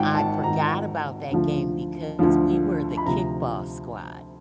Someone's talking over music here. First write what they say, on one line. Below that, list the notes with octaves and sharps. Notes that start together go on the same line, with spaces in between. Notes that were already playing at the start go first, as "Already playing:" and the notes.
I forgot about that game because we were the kickball squad.
Already playing: G#1 G#2 D#3 F#5 G5
A5
G#1 G#2 D#3 A#5
D2 D3 F3
D2 D3 F3
B5
D2 C3 F3 A#5